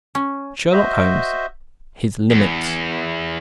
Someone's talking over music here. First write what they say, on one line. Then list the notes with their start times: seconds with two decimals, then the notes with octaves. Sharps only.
SHERLOCK HOLMES--his limits.
0.15 C#4
0.73 F#4 C5 D#5 E5
2.31 E2